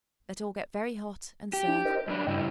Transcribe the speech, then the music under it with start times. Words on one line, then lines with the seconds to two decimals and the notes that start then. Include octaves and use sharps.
Let all get very hot and serve.
1.53 G4
1.67 D4 E4
1.85 A#4 C5 D#5
2.08 F#2 D4 B5
2.26 G2 C#3 G3 E4 D#5 G5